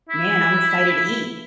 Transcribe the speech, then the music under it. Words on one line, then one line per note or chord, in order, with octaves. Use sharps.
man, I'm excited to eat.
E4